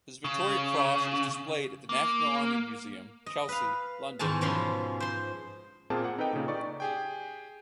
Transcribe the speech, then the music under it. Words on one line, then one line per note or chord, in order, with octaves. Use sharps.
His Victoria Cross is displayed at the National Army Museum, Chelsea, London.
C#3
A#3
D#5
B4 F5
E2 G#2 D#3 G#5 A5
B2 F3 C#4 F5 B5 C6
C5 C6
A#2 A#3 C4 G#4 A5 F6
F#5
D#4 A4 B4 D#5 G5
A#2 C#3
D#4 D5 C#6
G4 G#4 G5